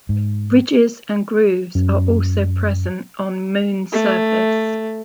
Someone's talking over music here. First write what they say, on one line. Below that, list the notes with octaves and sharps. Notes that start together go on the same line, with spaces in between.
Ridges and grooves are also present on moon's surface.
G#2
F#2
A3